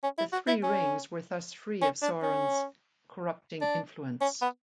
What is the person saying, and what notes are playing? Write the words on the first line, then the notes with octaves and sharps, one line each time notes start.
The Three Rings were thus free of Sauron's corrupting influence.
C#4
E4
F#4
E4
C#4
C#4
D4
C#4
D4
C#4
B3